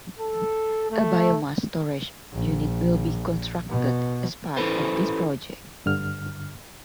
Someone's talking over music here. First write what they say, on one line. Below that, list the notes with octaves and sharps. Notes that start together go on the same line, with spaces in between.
A biomass storage unit will be constructed as part of this project.
A4
A3
A#1
B2
C#4 E4 G#4 A4 B4 C5
G2 D3 F6